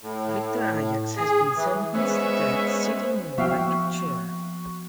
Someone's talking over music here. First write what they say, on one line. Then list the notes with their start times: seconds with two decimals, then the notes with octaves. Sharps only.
Victor Ajax has been sentenced to death, sitting in an electric chair.
0.02 A2
1.16 G#4
1.57 E3
1.94 G#3 B3 C#4 C5 E5
3.38 F3 A#3 B3 F#4 E5 F5 G5